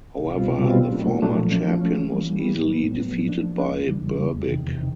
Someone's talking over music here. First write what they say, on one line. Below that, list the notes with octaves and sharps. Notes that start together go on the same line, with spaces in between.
However, the former champion was easily defeated by Berbick.
C2
B2 G3 C4 F4
C2
B2 G3 C4 F4
A#2
F#3 A3 D4
A#2
F#3 A3 D4
F3
A3 C#4
F3
A3 C#4
E3
G3 A#3
E3
G3 A#3
A2
F#3 B3
A2
F#3 B3
F3
A#3 D4
F3
A#3 D4
E2
C#3 E3 G3
E2
C#3 E3 G3
E2
C3 D#3
E2
C3 D#3